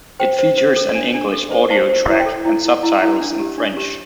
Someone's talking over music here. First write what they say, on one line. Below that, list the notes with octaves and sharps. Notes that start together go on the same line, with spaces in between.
It features an English audio track and subtitles in French.
C5 G5
C5
C5
A4
D4
D4
A4
C5
C5 A5
C5
E4
G5
A4
E4
E4
E4
E4
D4
G4
D4
G4